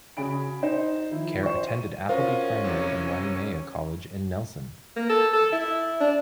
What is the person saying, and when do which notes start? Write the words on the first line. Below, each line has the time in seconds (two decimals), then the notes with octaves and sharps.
Kerr attended Appleby Primary and Waimea College in Nelson.
0.17 C#3 F#4 G#4 B5 D7
0.62 D#4 C5
1.11 D#3 F3 E4
1.43 C5 C#6
1.67 D#7
2.09 C#4 F4 F#4 A#4 C5 F5
2.64 C3 E3 F#3
4.96 A#3
5.10 A4
5.33 A4
5.53 E4
6.00 D4